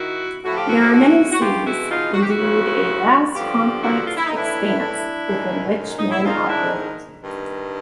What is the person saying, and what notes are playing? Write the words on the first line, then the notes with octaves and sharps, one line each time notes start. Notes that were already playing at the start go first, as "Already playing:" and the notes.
There are many seas-indeed a "vast, complex expanse" within which men operate.
Already playing: D#3 E4 F#4
A2 F3 E4 F#4
F4 G4
E4 F#4
E4 F#4
E4 F#4
F#4
E2 B2 F4 G4
E4 F#4
D#4 F4
F#4
G4
E4 F#4
D#2 C#3 F3
G2 D3 F3 F4 G4
E4 F#4
F4
E4
D#4
A2 E3 D4 E4
D4 E4
F#2 D#3
D#4
E4
G#2 D#3 D#4 F4
D4 E4
G2 D#3